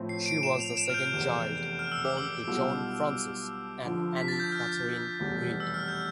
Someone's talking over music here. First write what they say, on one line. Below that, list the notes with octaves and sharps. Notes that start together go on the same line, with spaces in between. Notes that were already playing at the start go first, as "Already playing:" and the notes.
She was the second child born to John Francis and Annie Catherine Reid.
Already playing: A2 F3 C4
C7
D7
E7
F7
E7
F6
G6
F1 E2 C3
F6
E6
D6
E6
B1 B2 G3 B3 F4
F2 D3 F3
B6
A6
G6
F6
F1 E2 B2 G3
E6
F6
G6